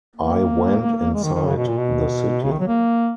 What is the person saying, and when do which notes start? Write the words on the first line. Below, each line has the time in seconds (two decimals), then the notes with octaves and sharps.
I went inside the city.
0.16 A#3
1.14 G#3
1.24 D#3
1.35 D#3
1.45 C#3
1.57 B2
1.68 A#2
1.78 B2
2.43 C#3
2.52 D#3
2.60 F#3
2.68 A#3